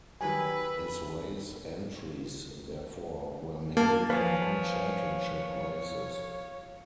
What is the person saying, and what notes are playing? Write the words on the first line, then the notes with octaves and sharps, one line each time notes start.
His race entries, therefore, were mainly in non-championship races.
D#3 F#3 G3 B4 G#5 B5 E6
A#3 A5
F3 B4 C#5 F5 G#5